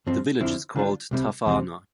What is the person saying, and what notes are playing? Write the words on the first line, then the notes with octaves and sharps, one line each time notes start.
The village is called Tafahna.
G2 F3 C4
F2 D3 F3 C4 E4
D3 G3 D4 F4
C2 C3 G3
E2 C3 F3 C4